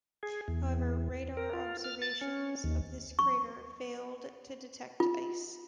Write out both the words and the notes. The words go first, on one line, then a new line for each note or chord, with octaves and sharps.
However, radar observations of this crater failed to detect ice.
G#4
E2
A#4
F4
F6
A6
C#4
D#2
C#6
F4